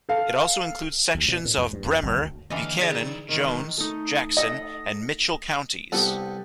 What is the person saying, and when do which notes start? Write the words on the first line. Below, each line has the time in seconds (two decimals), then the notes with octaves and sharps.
It also includes sections of Bremer, Buchanan, Jones, Jackson, and Mitchell counties.
0.09 A4 F5
1.15 D2
1.28 B2
1.45 A2
1.58 E2
1.73 G2
1.86 E2
2.03 F#1
2.16 D2
2.50 D#2 D3 E3 D#5 F5
2.81 D#3 E4 G#4 D5 A6
3.29 G#2 C3 D#3
3.78 A3 D#4
4.37 A4 D#5 F#5
5.92 C2 B3 G4 A4 F#5